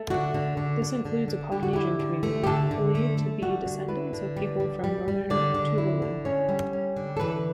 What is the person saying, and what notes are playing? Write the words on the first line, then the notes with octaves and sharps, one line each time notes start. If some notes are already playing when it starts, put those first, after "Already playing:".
This includes a Polynesian community, believed to be descendants of people from northern Tuvalu.
Already playing: A3
D3 F#4
D3
D3
D3
D3
D3
D3 G4
F#4
E4 G4
D3
A3
G4
D3 A4
D3
A3
A3
G3 F#4
D3
E4 B4
D3
G3
G3
G3
G3
D3 D5
D3
E4
D3
C#4 C#5
G3
C#4
D3
A4
E3 B4